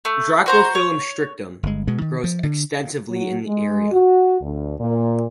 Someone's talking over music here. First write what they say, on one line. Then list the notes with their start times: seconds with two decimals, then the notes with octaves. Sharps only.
Dracophyllum strictum grows extensively in the area.
0.05 A3
0.46 F#4 C5 A#5
0.75 C#5
1.63 G1 G#3
1.87 B2 G#3 B3
2.01 D#3
2.24 F3
2.43 D3
3.09 F#3
3.47 G#3
3.91 F#4
4.41 D2
4.79 A#2